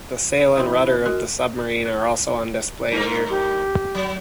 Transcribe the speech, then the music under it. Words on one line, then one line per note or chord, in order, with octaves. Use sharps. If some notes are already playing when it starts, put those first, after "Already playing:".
The sail and rudder of the submarine are also on display here.
A#2 E3 C4 E4 D#6
G#3 F#4 A#4
G2 A#4
G4
F#3